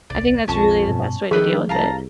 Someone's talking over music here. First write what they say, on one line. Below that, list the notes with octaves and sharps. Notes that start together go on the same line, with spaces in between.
I think that's really the best way to deal with it.
D#1 C2 D5
B1 F2 C#4 A5 C#6
G2 B2
D#3 F3 G#4 A4 B4 G5
C2 F5 A5 A#5